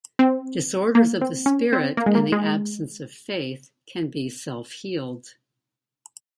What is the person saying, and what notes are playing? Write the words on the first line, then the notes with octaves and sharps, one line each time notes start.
Disorders of the spirit and the absence of faith can be self-healed.
C4
A#3
C4
C#4
C4
A#3
G#3
A#3
G#3